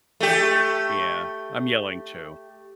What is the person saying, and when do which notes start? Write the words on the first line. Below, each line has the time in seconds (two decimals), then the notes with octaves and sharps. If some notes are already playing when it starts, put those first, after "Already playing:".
Yeah, I'm yelling too.
0.20 A3 G4